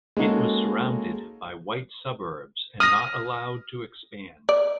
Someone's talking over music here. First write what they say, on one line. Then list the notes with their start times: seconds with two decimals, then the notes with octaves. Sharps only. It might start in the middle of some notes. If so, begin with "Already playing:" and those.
It was surrounded by white suburbs and not allowed to expand.
0.17 G#3 A#3 C#4 D#4 F#4 A4
2.80 D#6 F6 A#6
4.49 D5